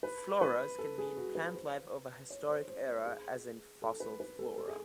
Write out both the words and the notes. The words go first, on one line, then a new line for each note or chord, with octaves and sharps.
Floras can mean plant life of a historic era as in "fossil flora".
B4
B4
A4
G#4
F#4
B4
C5
C#5
C5
C5
C5
G#4
A4
B4
B4
A4
A4
G#4